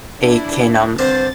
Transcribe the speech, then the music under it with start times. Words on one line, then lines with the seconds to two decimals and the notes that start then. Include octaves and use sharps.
it can, um
0.20 D4 E4
0.99 G2 D3 C4 C5 A6